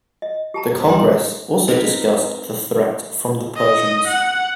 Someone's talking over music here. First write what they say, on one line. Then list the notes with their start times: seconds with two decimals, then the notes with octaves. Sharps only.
The Congress also discussed the threat from the Persians.
0.22 D#5
0.54 G4 A5 A#5
0.75 C3
0.89 G3 D4 G5 A#5 C6
1.68 C4 D#4 A#4 B4
3.57 D#5
4.08 F#5